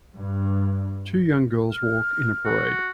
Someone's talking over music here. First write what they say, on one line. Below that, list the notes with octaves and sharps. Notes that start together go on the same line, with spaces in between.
Two young girls walk in a parade.
G2
F6
F#4